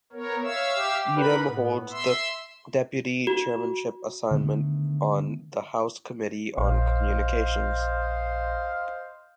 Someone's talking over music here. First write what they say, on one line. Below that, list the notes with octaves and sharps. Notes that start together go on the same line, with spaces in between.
Idem holds the deputy chairmanship assignment on the House committee on Communications.
B3 A#4 C#5
C#5 E5 F5 E6
G4
D#4 A#4 B4 B5
A2 B3
E5 C6 E6
F#4
D3 D#3 A3 B3
A#1 C5 D#5 F5